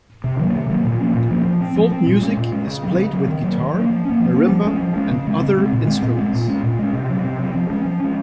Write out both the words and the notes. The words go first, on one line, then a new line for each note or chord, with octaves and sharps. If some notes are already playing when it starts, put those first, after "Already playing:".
Folk music is played with guitar, marimba and other instruments.
C3
D#3 F#3 A#3
C3
D#3 F#3 A#3
A#2
F3 A#3 C#4
A#2
F3 A#3 C#4
F3
C4
F3
C4
A#2
G#3 C#4
A#2
G#3 C#4
C#3
F#3 C4
C#3
F#3 C4
D#3
F#3 A#3
D#3
F#3 A#3
F3
A#3 C#4
F3
A#3 C#4
F3
G#3 C#4
F3
G#3 C#4
C#3
G#3 C4
C#3
G#3 C4
A#2
G#3 C4
A#2
G#3 C4
A#2
G#3 C#4
A#2
G#3 C#4
C3
F#3 C4
C3
F#3 C4
F3
G#3 C#4
F3
G#3 C#4